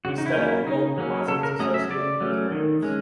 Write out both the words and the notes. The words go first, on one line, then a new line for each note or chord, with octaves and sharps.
He studied the gold deposits associated with granites.
C#3 F#4
D#4
E4
F#3 A#3 C#4
E4
C#3 D#4
F#3 A#3 C#4
C#3 A4
A#4
F#3 A3 C#4 D#5
E5
C#3 D5
F#3 A3 C#4
D#3
G#3 C#4